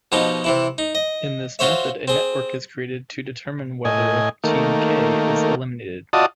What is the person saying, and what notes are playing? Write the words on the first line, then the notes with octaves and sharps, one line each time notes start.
In this method a network is created to determine whether team "k" is eliminated.
B2 F3 B3 D#4 G4
C3 E3 E4
D#4
D#5
F4 F#4 C5 C#5 E5
C4 G#4
A2 D#5 G#5
D#3 A3 A#3
F4 F#4 D5 D#5 A5 D#6